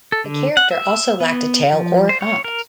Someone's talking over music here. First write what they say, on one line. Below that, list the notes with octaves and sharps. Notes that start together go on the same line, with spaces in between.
The character also lacked a tail or hump.
A4
D3
F#5
E5
B3
F3
C5
C#5
A#4